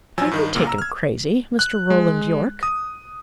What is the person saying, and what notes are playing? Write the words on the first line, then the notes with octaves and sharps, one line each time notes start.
"Are you taken crazy, Mr. Roland Yorke?"
A1 F3 F#3 G#5 E6
G2 D#3 D#4
C2 A#2 C#3 A#3
A#5 E6
F6 G#6
F#6
G#3
D#6